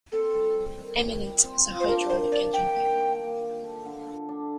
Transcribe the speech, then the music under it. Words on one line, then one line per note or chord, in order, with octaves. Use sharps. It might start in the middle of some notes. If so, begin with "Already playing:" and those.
Eminent as a hydraulic engineer.
C4 A4
G3
G3
D#3
G3
G3
C4
F4
C5
D4 A#4
D#3 C5
D4 D5
D#3 G5
A#3
D4
A#3
G4
A4
D3
A4
D4